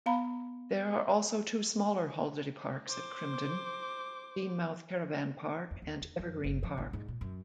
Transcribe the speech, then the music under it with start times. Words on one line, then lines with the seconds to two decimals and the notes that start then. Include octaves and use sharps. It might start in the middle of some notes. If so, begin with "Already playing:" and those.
There are also two smaller holiday parks at Crimdon-Denemouth Caravan Park and Evergreen Park.
0.06 B3 F5 A#5 B5
2.89 C5 D6
5.71 F2
5.82 D#2
6.01 E2
6.19 F#2
6.44 F#1
6.63 F3
6.77 A1
6.93 G#2
7.08 A#2
7.21 F#2